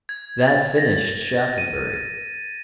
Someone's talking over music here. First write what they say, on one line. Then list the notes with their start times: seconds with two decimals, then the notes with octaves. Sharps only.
That finished Shaphambury.
0.09 G#6
0.47 A6
0.78 A#6
1.58 D#7